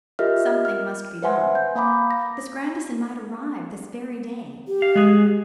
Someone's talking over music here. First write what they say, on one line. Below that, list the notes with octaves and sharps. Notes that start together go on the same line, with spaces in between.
Something must be done; Miss Grandison might arrive this very day.
F4 G4 A#4 D#5 E5 F6
F6
B4 C5 E5 F#5 G#5 C6
G6
A#3 F5 A#5 B5 D6
A#6
G4
F5
G#3 G#4